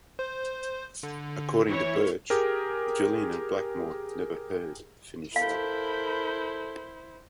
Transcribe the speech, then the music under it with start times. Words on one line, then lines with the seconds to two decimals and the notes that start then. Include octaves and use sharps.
According to Birch, Gillan and Blackmore have never heard the finished album.
0.19 C5
1.03 D3
1.67 E3 E4 C#5
2.30 G4 G#4 A#4
5.36 E4 A4 A#4 C5 F5 B5 G6